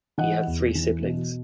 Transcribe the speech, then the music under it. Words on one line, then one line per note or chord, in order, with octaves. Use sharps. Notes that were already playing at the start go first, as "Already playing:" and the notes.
He had three siblings.
E3 D#5 F#5
E2
E3
B2